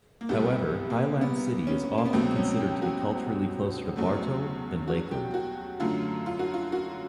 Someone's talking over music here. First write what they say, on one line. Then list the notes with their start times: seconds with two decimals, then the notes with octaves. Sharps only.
However, Highland City is often considered to be culturally closer to Bartow than Lakeland.
0.21 A#3
0.29 C2 B2 G3 B3
0.90 A#3
1.21 B3
1.67 C#4
1.98 A#3
2.05 B3
2.13 C#2 B2 F#3 A3 C4
2.36 C#4
2.59 G4
2.82 F#4
3.96 E2 C#3 F#3 A3
4.88 F#4
5.11 G4
5.34 F#4
5.80 F#2 D3 F#3 A3 F4
6.26 F4
6.39 F#4
6.54 F4
6.72 F#4